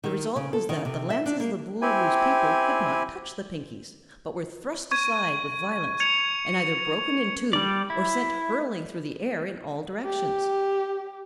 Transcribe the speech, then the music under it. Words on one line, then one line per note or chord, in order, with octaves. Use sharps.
The result was that the lances of the Boolooroo's people could not touch the Pinkies, but were thrust aside with violence and either broken in two or sent hurling through the air in all directions.
D#3
C#3
A4
D#3
C3
E5
D4
A#3
C4 E4 G4 G#5
C#6 G#6 D#7
G#6 C#7 F7
G3 D5
E4
G4